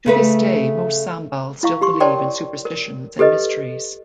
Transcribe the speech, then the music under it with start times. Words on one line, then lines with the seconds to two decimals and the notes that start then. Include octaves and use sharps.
To this day, most Sambal still believe in superstitions and mysteries.
0.06 C#3 A3 B4
1.63 E4 F5 C#6
1.82 G4 C6 C#6
2.00 A#4 C#5 D5 G5 A5 C6
2.65 A#4
3.19 G4 A4 B4 D#5